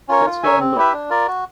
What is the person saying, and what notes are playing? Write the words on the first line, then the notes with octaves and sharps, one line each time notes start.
Let's go and look.
C#4 F4 A#4 C#5
F4
A#4 C#5 E5 G#5
C4
E4 G4 B4 E5
D4
F4 A#4 D5
F#4